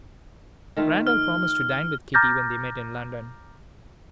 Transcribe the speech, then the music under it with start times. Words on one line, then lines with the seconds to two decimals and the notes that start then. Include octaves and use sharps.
Randal promised to dine with Kitty when they met in London.
0.77 D#3 A3 F4
1.07 F6
2.14 A#5 D6 F6 G6 A6 A#6